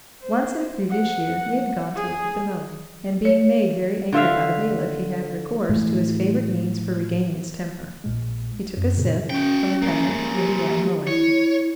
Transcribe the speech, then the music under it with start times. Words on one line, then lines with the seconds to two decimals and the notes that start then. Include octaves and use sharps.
Once in a previous year he had gone to look at the mowing, and being made very angry by the bailiff he had recourse to his favorite means for regaining his temper,--he took a scythe from a peasant and began mowing.
0.22 C5
0.89 F#5
1.94 G#4
3.25 C#5
4.12 D3 F4 E5 F5
5.69 A2 E3 G#3
8.04 A#1 A#2 G#3
8.77 F#2
8.97 A#2 C#3 G#4
9.30 C#4 F#4 G5
9.82 G#3 A#3
10.34 G4
11.07 E4 C#5